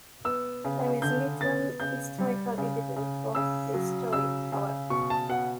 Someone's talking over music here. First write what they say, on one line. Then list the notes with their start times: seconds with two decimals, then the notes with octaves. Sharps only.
There is little historical evidence for this story, however.
0.25 B3 E6
0.65 C#3
1.02 D3 G6
1.41 B3 A6
1.80 C#3 G6
2.18 G3
2.58 C#3
2.96 C#3
3.35 C#3 E6
3.74 F#3
4.13 C#3 E6
4.52 C#3
4.90 B2 C#6
5.10 A5
5.29 B2 F#5